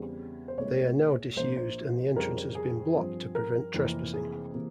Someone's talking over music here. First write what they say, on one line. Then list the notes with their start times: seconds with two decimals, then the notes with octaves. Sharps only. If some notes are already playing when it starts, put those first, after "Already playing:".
They are now disused and the entrance has been blocked to prevent trespassing.
Already playing: E2 C#3 G3 C4
0.48 C5
0.57 C2 A#2 G#3 C#5
1.36 A#1 A#2 F3 A#3 C5
1.57 C5
2.16 F2 C#3 G3 A#4
2.55 G#4
2.94 G2 F3 C4
3.35 A#4
3.74 F1 F2 E3 A#3
4.14 G#4
4.54 C3 E3 A#3